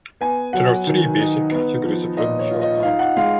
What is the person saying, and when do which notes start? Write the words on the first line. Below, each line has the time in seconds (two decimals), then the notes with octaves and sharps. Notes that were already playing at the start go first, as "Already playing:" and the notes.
There are three basic categories of written shorthand.
0.21 B3 G#5
0.53 F#3 F#5
0.87 D#3
1.19 D#4
1.52 B3
1.85 F3
2.17 A#2 D#5
2.39 C#5
2.50 F4
2.62 D#5
2.83 D#4 F5
2.99 F#5
3.17 G#3 F5